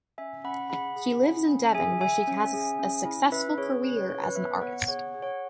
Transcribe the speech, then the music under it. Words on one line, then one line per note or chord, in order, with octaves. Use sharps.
She lives in Devon where she has a successful career as an artist.
C#4 E5 G#5
C#4 F#5 B5
G#4 F#5 B5
G#4
C#4
C#4
G#4 E5 G#5
G#4 E5 G#5
C#4
G#4
C#4
E4
C#4 B4 E5
G#4 C#5
C#4 B4
C#5
E4 C#5
B4
B3 B4 E5
B3 C#5 F#5
G#4 C#5 F#5
G#4
C#5 F#5